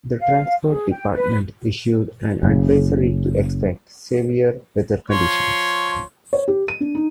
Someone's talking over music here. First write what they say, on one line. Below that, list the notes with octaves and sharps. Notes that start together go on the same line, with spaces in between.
The Transport Department issued an advisory to expect severe weather conditions.
F5
G#4
G5
B4
F#1 C#3
F3 C#5 C6
C#5
G4
D#7
D4
D#4